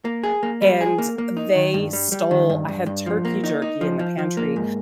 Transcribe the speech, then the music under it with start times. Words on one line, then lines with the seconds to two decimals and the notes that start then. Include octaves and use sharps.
and they stole I had turkey jerky in the pantry,
0.05 A#3
0.23 G#4
0.43 A#3
0.62 G3
0.81 G#4
0.98 A#3
1.18 A#3
1.37 D#4
1.55 D#3
1.74 G2
1.93 G3
2.12 G3
2.31 D#3
2.50 G2
2.68 G2
2.86 G2
3.06 F3
3.25 A#3
3.44 D#4
3.62 D#4
3.81 F3
3.99 F3
4.18 F3
4.37 A#3
4.56 G#2